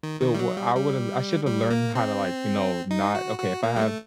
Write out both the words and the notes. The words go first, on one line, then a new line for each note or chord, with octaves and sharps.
the w I would've I shoulda learned how to, like, you know, not okay, if I have
D#3
D#3
G3
F#3
G3
G3
G3
A#3
C4
D#4
F#4
F#4
A#3
G3
A3